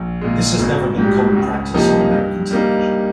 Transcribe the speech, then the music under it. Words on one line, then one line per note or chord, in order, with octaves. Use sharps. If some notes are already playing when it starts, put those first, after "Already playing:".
This has never been common practice on American television.
Already playing: A#1
A#2 G#3
G#1
G#2 G3
C#2
C3 F3 A#3 D#4
G2
G3 A#3 D#4